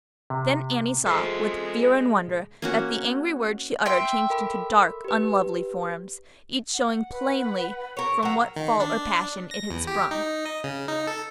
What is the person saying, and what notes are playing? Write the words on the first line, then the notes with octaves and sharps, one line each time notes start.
Then Annie saw, with fear and wonder, that the angry words she uttered changed to dark, unlovely forms, each showing plainly from what fault or passion it had sprung.
C3
G#3 A4 C5 E5
A#3 C#4 F#4
E5 G5 C6
A4 A#4 B5
G4 B4
F#5
B4
A#4 C#5 C#6
F#3 A#4 F#5 A#5 E6
D#3
D4
A#6
E2
G4
D#4
D#5
C#3
D#4
A4